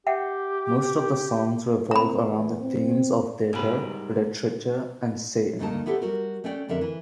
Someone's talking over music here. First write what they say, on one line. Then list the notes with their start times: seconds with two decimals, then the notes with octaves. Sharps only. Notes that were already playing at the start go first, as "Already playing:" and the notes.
Most of the songs revolve around the themes of theater, literature, and Satan.
0.07 G4 E5 F#5 G5
1.91 C4 A#5 B5
2.28 E2
2.61 C4
3.53 C2 G#2 C3 A#4 B5
5.59 D2 G2 A3 A#3 D#4 A5
5.86 B3 E4 G4 A4 C5
6.02 G3 F#4 A#4
6.44 A3 C#4 D5 G5
6.69 F2 D3 A#4 E5
6.81 E3